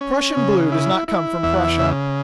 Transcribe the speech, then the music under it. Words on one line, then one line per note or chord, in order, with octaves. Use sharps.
Prussian blue does not come from Prussia.
C#4
C#3
E4
E4
E2 E5
F#5
E5
C#3 E5